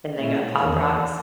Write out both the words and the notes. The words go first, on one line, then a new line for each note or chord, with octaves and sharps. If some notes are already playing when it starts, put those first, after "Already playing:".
And they got Pop Rocks.
A#2 G#3 C#4 E4
E2 D#3 A#3